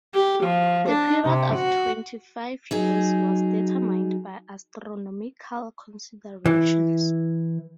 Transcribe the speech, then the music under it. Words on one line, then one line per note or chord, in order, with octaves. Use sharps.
The period of twenty-five years was determined by astronomical considerations.
G4
F3
D4
C3
F#4
F#3 D#4 G#4
E3